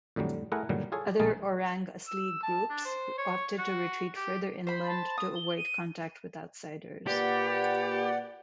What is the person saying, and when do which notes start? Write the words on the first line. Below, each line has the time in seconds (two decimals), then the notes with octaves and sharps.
Other Orang Asli groups opted to retreat further inland to avoid contact with outsiders.
0.16 F2 A2 D3 F#3 G3
0.52 A3 E4 G#4 A#4 F#5 G#5
0.69 G2 A#2 D3 D#3 F#3 G3
0.92 F4 G#4 A4 C#5
1.07 G4
1.20 A#1 G#3 G#4 A#4
2.07 E6
2.43 A5
2.70 D4
2.85 C5
3.18 C#5
3.58 F#4
4.16 G4
4.67 C5 B5
4.88 A5
5.18 D#6
5.36 G7
5.58 D#7
7.07 A#2 A#3 G4 B4 D5 F#5